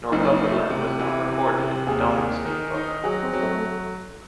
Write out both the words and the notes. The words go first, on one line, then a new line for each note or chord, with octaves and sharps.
Northumberland was not recorded in the Domesday Book.
F#1 D#4
D#4
A3
F#4
C3
E3
C3
C3
D#2 G#4
D#3
D#3
D#4
F#3 G#4
C4
F#3
A3